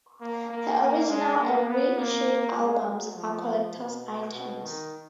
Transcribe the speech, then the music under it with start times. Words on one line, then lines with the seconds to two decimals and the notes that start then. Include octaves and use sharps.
Her original and reissued albums are collector's items.
0.21 A#3
0.50 A#3
0.80 A#3
1.08 G#3
1.39 A#3
1.68 B3
1.98 A#3
2.56 G#3
2.86 F#3
3.15 F3
3.45 F3
3.75 B2
4.34 B2
4.63 D#3